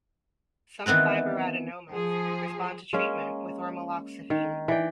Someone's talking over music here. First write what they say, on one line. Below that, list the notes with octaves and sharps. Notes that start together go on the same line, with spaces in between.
Some fibroadenomas respond to treatment with ormeloxifene.
D#3 E3 B3 C4 B4
F3 G#4
G#3 A#3 C#4
D#3
E3 D5 G5